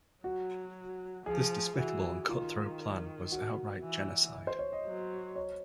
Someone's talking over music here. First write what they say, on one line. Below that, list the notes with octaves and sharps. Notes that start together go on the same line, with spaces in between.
This despicable and cutthroat plan was outright genocide.
F#3 F#4
F3 G#4
E3 F#4
D#3 F4
F#4
E3
C5
C#5
D#5
F#3
C#5